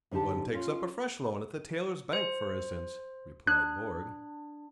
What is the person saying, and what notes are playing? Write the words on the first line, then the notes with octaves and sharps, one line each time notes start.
"One takes up a fresh loan at the Tailors' Bank, for instance," replied Borg.
G#2 D3 D4 G4 A5
C#4 F4
C5
D4 F#6